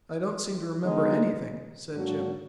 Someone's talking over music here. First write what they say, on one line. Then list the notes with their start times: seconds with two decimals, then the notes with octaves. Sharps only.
"I don't seem to remember anything," said Jim.
0.83 D3 G#3 B3 D#4
1.92 G#2 F#3 A#3 D4 F#4